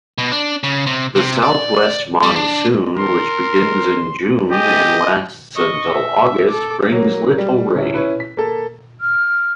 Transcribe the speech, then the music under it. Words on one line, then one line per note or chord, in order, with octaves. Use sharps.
The South-west monsoon, which begins in June and lasts until August, brings little rain.
B2
D4
C#3
C3
C3
D5
G3
D4
A#4 C6
G4 D#5 G#5
D#5 C#6
E5
A4 D6
F#3 A#3
G3
D1 C#4 E4
C#4 E4 B4
B6
A#3 A4
F6